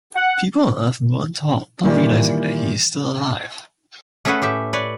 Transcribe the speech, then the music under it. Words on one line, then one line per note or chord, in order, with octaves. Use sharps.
People on Earth mourn Tom, not realising that he is still alive.
F#5
A#2 D#3 E3 G3
A3 C#4 G#4 A4 B4 F#5
A2 G4 E5
B4 C#5 D5